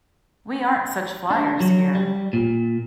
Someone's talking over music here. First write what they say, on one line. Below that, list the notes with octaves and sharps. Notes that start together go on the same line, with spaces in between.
We aren't such flyers here.
D4
F#3
G3
A#2